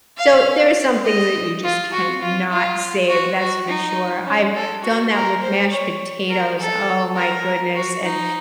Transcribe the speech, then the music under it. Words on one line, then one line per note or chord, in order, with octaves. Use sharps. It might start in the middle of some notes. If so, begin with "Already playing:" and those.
So, there are some things that you just cannot save, that's for sure, I've done that with mashed potatoes, oh my goodness, and
F5
D#5
F4
F#4
F4
F4
F#4
F#4
D#4
C#4
A4
F#4
A#4
C5
C#5
A#4
A4
A#4
F#4
D#4